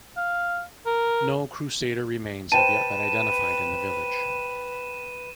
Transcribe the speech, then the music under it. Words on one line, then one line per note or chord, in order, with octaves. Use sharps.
No Crusader remains have yet been identified in the village.
F5
A#4
B4 C5 G5 A5 D#7 E7